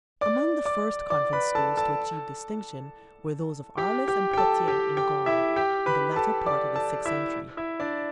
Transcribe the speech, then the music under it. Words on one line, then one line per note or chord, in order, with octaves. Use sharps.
Among the first convent schools to achieve distinction were those of Arles and Poitiers in Gaul, in the latter part of the sixth century.
D5 D6
D5 D6
D5 D6
B4 B5
A4 A5
A4 A5
G4 G5
G4 G5
G5
A4 A5
G4 G5
G4 G5
E4 E5
G4 G5
B4 B5
A4 A5
D5 D6
A4 A5
E4 E5
E4 E5
D4 D5